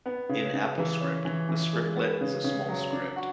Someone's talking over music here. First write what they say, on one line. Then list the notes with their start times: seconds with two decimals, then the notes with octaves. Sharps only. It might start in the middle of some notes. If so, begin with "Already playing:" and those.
In AppleScript, a scriptlet is a small script.
0.06 B3
0.29 C#3
0.53 C#3
0.78 E3
1.01 C#4
1.25 E3
1.49 E3
1.73 G#3
1.96 B3
2.21 C#3
2.44 C#3
2.68 F#3
2.93 D4
3.16 F#4